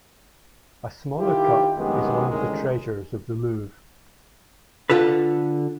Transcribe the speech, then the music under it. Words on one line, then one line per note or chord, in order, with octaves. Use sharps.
A smaller cup is one of the treasures of the Louvre.
D#3 E4 F4 G4
C2 F#2 D#3 G#3 B3 G4
A1 D2 D#3 G#3 A#4
D3 F4 A4 B4